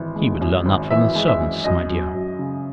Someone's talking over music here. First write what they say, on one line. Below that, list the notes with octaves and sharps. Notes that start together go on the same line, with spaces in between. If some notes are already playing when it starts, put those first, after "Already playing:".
"He would learn that from the servants, my dear."
Already playing: G#1 E3 G#3
G#3
F#2
G#1
E3 E5
G#3
E5
F#2
F#2 D#5
F#3
F#2
C#3